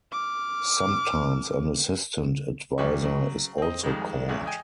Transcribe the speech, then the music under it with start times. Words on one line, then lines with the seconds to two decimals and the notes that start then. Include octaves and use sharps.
Sometimes an assistant adviser is also called.
0.12 D6 F6
2.78 E2 G3 B3 C#6
3.03 C#3 F#3
3.58 C4 D#5
3.83 F2 D#3 G3 G#3
4.29 B1 E2 C#3 G#3
4.46 D#5 G5 G#5